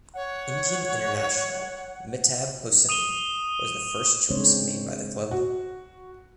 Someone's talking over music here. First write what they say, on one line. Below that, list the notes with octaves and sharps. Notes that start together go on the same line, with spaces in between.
Indian international Mehtab Hossain was the first choice made by the club.
C#5 F#5
D#6 D#7 E7 G7
C#3 G#3 C4 D4 C5 C#5
F#4